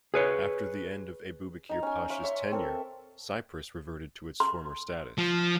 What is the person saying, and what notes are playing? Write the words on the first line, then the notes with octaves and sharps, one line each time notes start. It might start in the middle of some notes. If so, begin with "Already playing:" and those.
After the end of Ebubekir Pasha's tenure, Cyprus reverted to its former status.
G#4 B4 C#5
D#4 A#5
C#4 G#5
C5 C#5 E5 F5
C#5 E5 C6
C4 A4 A#4
C6
F3